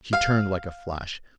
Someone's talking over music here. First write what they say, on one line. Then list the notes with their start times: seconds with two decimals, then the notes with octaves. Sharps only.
She turned like a flash.
0.13 F5